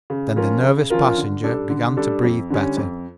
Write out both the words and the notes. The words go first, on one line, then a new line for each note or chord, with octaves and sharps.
Then the nervous passenger began to breathe better.
C#3
F3 C#4 F4 A#4
C#3
F3 C#4 F4 A#4
D3
G3 D4 A4
D3
G3 D4 A4
F2
D3 G3 C#4
F2